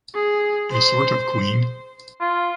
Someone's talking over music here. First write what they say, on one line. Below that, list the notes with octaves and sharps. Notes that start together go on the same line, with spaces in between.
A sort of queen.
G#4
C5
F4